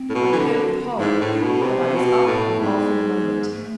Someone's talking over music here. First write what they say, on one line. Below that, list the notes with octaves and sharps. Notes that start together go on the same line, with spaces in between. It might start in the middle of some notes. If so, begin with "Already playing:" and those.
I heard with horror, but I was up and off in a moment.
Already playing: C4
A2
B2
E3
D3
G#2 E4
A2
D4
B2
C3 C4
B3
D4
B2 C4
B3
A2
G#2
A3